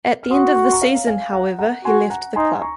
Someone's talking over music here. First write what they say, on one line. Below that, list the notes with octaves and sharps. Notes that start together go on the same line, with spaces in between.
At the end of the season, however, he left the club.
F6
F#4 C6 D#6
C#6
C6
A#5 C#6
C#5 F5
A#5
F5 G#5
F#5 A#5
F#5 A#5
F#4 G#5 C6
F#5 A#5
D#4 G#5 C6
A#5 C#6